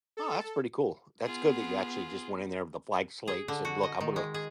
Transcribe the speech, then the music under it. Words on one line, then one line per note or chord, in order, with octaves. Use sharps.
Oh, that's pretty cool. That's good that you actually just went in there with the flag slate and said, "Look, I'm gonna
A4
B3 F4 G#4
G#4
D3
F#4
D#5
D#3
G#3
G#4